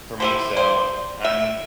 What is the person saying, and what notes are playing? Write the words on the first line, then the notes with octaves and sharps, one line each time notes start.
for me, so, I'm
E4 G4 C5
C5
E5